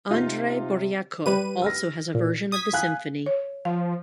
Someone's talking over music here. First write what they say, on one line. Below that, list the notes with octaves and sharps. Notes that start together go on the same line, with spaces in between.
Andrei Boreyko also has a version of the symphony.
C3 D#4 F4
G3 G4 B4 D#7
E6 F6 A#6
A#2
D#6 G#6 B6
F5 G#5 F#6
C#5
F3 F5